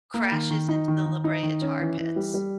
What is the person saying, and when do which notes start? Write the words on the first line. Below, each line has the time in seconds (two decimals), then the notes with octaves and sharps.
crashes into the La Brea Tar Pits.
0.14 A#3
0.32 D#3
0.51 D#3
0.69 D#4
0.88 D#3
1.06 D#3
1.24 D#4
1.43 D#3
1.62 C#4
1.80 E3
1.98 E3
2.16 G3
2.34 G3